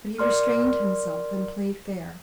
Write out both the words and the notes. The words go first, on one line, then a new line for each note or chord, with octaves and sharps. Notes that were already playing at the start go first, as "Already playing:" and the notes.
But he restrained himself and played fair.
A#4 D5 C6 F6